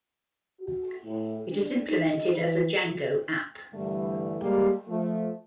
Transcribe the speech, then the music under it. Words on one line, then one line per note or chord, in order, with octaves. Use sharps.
It is implemented as a Django app.
F#4
A2
D4
D#4
E3
G2 D3 E3 G3 A3
G3 G#3 A#3 G4
F3 A3